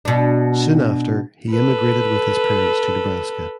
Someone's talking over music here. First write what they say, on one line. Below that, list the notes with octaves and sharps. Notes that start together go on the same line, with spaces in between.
Soon after he immigrated with his parents to Nebraska.
B2 D4
A4 B4